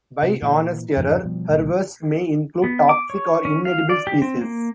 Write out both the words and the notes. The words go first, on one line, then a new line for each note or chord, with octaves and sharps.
By honest error, harvests may include toxic or inedible species.
C3
A#2 E3
F2 G#2 C#3 E3
B2 F3 G3
C2 A#2
B3
D6
C#5
C#4
F5
D5
G4
C4
A#3